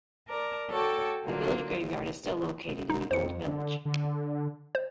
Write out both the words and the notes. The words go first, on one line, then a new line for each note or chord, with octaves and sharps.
The village graveyard is still located in the old village.
A#4 D5 A5 A#5
F#4 A4 C#5 G5 A5 D6
D3 F#3 A#3 F4
D#4
F2 C5 C#7
D3
D3
C5